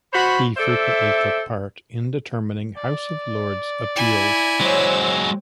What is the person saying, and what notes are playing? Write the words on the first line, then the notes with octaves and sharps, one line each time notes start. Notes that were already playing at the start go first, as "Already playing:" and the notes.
He frequently took part in determining House of Lords appeals.
F#4 C5 C#5 B5
A4 C5 D5 E5
D5
E4 G#5
F#3 G#3 C5 C#5 E6